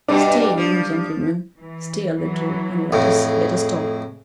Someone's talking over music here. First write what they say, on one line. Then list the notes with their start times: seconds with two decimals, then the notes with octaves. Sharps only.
Stay, young gentleman, stay a little, and let us--let us talk.
0.08 G2 B2 G3 D4
0.57 F3
1.57 E3
2.17 E3 F#3
2.92 F2 A2 G#4